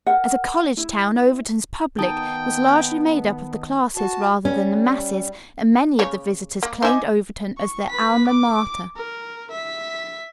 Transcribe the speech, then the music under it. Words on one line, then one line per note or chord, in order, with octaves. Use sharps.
As a college town Overton's "public" was largely made up of the classes rather than the masses, and many of the visitors claimed Overton as their Alma Mater.
A#4 F#5
E4
D#3 B3 D#4 G5 A5 D#6
F#4 A5
G3 C#4
C#3 A#3 C#5
A#3
D#4 C5 E5 G#5 D6
C#6
B4 B6
D6
A#4
E5 B6